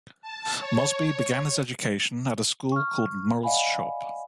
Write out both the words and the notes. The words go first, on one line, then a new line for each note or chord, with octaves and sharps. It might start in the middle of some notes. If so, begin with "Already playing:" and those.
Mosby began his education at a school called Murrell's Shop.
A5
C#5
C#6 F6
D5 D#5 F5 F#5 G#5 B5